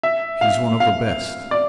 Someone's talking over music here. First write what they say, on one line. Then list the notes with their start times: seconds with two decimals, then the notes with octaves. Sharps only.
"He's one of the best!"
0.03 E5
0.41 F5
0.80 F5
1.51 D5